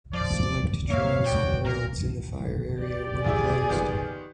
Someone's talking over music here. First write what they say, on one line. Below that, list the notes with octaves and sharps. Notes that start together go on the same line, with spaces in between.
Select trails and roads in the fire area were closed.
F3 D5
A#3 C#5 E5 F5
B2 F#4 D5 G5
A#2 A#4
G4 D5
D2 E4 G#4 E5
D#3 B3 F4